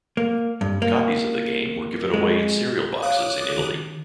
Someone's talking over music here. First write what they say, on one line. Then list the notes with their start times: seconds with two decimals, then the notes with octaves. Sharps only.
Copies of the game were given away in cereal boxes in Italy.
0.17 A#3
0.61 G2
0.82 A#3
2.14 G#3
3.02 C#5 F5 D6 D#6 F#6
3.59 D#3